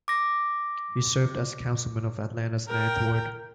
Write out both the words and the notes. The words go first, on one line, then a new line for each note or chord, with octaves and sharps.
He served as councilman of Atlanta's Ninth Ward.
D6 A#6
A#4 G5